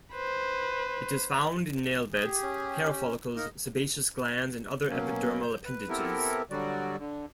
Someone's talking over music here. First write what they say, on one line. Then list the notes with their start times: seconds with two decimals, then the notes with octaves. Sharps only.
It is found in nail beds, hair follicles, sebaceous glands, and other epidermal appendages.
0.13 B4 C5
2.11 G#4
2.24 G4
2.42 C#4
3.36 A#3 D#4 A#4 D#5
4.90 B2 F#3 A#3 C#4
5.42 G6
5.65 B4
5.89 B3 C4 E4 G4 A4 A#4
6.51 D3 F#3 G3 F#4 D5
6.99 D3